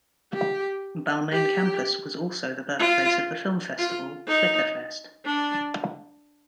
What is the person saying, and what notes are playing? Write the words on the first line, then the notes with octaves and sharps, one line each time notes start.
Balmain Campus was also the birthplace of the film festival, Flickerfest.
G4
G4
F4
F4
D#4
D4